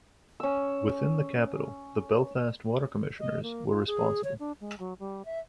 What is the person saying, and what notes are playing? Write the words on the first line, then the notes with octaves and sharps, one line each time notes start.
Within the capital, the Belfast Water Commissioners were responsible.
C#4 E6
D#5
A#3
F4
G#4
C#5
D4
G#3
F#3
G3
E5